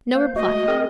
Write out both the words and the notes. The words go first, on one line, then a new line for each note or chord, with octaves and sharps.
No reply.
A#3 C5
A3 F#4 D#5
C4 G#4 A#4